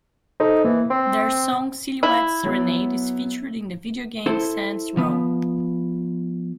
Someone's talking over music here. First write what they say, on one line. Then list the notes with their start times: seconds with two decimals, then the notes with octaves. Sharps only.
Their song "Silhouette Serenade" is featured in the video game "Saints Row".
0.40 D#4 A4 C5
0.65 E3 A#3
0.90 C4 C6
2.03 E4
2.43 F#3 B3
4.26 E4 A4 C5
4.97 F3 B3